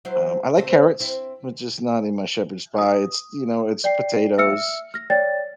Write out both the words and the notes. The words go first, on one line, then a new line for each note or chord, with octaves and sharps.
Um, I like carrots, but just not in my shepherd's pie, it's, you know, it's potatoes
F#3 E4 C5
C#3 A3 C4
C4 E4
D#6
D5 G5 C7
E5 E6 F6 C#7
F6 A#6
C#5 D5 G5 A6